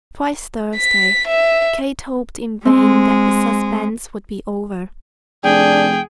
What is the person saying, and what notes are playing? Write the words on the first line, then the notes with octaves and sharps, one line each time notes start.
Twice Thursday, Kate hoped in vain that the suspense would be over.
B6
E5
G#3 C4
F1 D4 G#4 G5